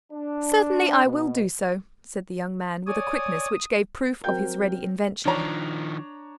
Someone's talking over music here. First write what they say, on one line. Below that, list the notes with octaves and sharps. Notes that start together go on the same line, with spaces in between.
"Certainly, I will do so," said the young man, with a quickness which gave proof of his ready invention.
D4
B2
C#5 D5 G#5 D#6
F#3 C4 A#4 G5 G6
D#3 F3 D4 C#5 A#5